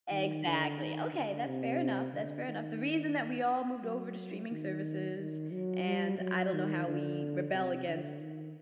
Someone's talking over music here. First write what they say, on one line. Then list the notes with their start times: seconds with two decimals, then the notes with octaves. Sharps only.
Exactly. Okay, that's fair enough, that's fair enough. The reason that we all moved over to streaming services, and I don't know how we rebel against
0.11 D#3
0.46 D3
0.79 D#3
1.13 D3
1.46 C3
2.13 D3
2.48 D#3
3.83 F#3
4.51 D#3
5.18 D#3
5.52 F#3
5.86 G3
6.20 F#3
6.53 D#3
6.87 D3
7.54 C3
7.88 D3
8.21 D#3